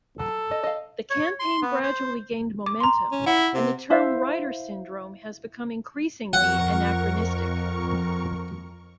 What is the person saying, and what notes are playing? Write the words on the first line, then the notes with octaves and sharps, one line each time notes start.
The campaign gradually gained momentum, and the term "Reiter's syndrome" has become increasingly anachronistic.
F#3 A4
D#5
D#5 F5
C#5
C6
B3
C5
D6
A#5 C6
C#4
E4 F#5
C3
E4 C5 E5 F5
F2 A#4 F#5 C#6